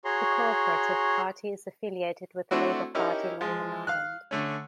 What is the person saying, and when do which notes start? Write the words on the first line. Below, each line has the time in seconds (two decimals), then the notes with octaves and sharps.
The Co-operative party is affiliated with the Labour Party in Northern Ireland.
0.05 F#4 G#4 C#5 A#5 C6
2.51 A3 C4 D4 E4 F#4
2.95 C#4 D#4 E4 G4 A#4
3.41 F3 G#3
3.87 F5 F6 F#6
4.31 D3 A3 C#4